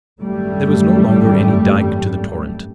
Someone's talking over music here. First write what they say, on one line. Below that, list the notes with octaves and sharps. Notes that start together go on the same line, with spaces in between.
There was no longer any dike to the torrent.
G#1 F#2 G3 A3